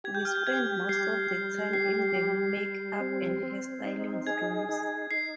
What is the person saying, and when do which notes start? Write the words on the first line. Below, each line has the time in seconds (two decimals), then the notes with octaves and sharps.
"We spend most of the time in the make-up and hairstyling rooms".
0.04 G4 G#6
0.15 G6
0.25 F6
0.35 G6
0.47 G4 G#6
0.89 G3 C7
1.31 G3
1.73 G4 C7
2.16 G3
2.57 G3
3.00 C4
3.43 C4
3.84 D#4
4.27 G#4 G#6
4.69 D#4
5.11 D#4 C7